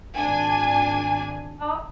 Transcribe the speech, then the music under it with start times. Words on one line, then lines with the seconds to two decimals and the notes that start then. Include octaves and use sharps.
Uh, oh uh,
0.15 G#1 D4 G#5